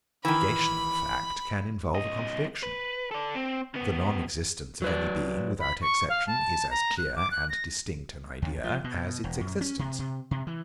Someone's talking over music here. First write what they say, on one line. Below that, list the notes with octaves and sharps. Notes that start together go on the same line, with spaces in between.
No negation of a fact can involve a contradiction. The non-existence of any being, without exception, is as clear and distinct an idea as its existence.
D#3 E3 B5
C2 D#5
B4
A4 D5
C4
C#3 B3
F#3 B4 D5
B5
C#6
F5
A5
A#5
F#6
D6
F#6
A#6
D#2
F3
B2
E1
F#2
C#4
C3
C3
C3
E3